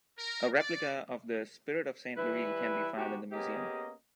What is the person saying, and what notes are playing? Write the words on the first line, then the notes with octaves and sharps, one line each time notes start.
A replica of the "Spirit of Saint Louis" can be found in the museum.
A#4
D5
E3 G3 E4 B4
G#2 B2 F#4 G4
A#3 B3 C#4 G4 G#4 D#5